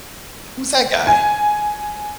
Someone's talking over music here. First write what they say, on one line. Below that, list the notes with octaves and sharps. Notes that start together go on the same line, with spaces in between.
"Who's that guy?"
G#5